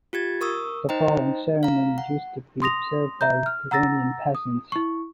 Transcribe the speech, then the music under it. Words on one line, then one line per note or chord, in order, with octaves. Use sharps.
The following ceremonies used to be observed by Lithuanian peasants.
F4 G4 G#6 A6
A#4 C#6 D#6 E6
D#4 C5 D#5 G5 A#5
F5 A#5
F#5
C6 D#6 A#6 F7
E5 A#5 G6
F6
F#5 A#5 E6 A6 A#6
D#6
E4 C#6